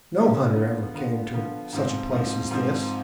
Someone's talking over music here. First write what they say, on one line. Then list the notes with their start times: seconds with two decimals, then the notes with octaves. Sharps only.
No hunter ever came to such a place as this.
0.17 D3 F3 B3
0.55 D3 F3 B3
0.94 D3 F3 B3
1.33 D3 F3 B3
1.73 G#2 F3 C4
2.12 G#2 F3 C4
2.51 G#2 F3 C4